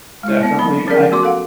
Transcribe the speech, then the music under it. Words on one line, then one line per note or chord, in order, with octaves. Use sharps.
Definitely. I
G#3 E4
A#3 B3 E5
F#3 B3 C4 B5
F3 C#4 G#4 A#4 D5
A3 B3 F#4 C6 D6
A4 F5 F#5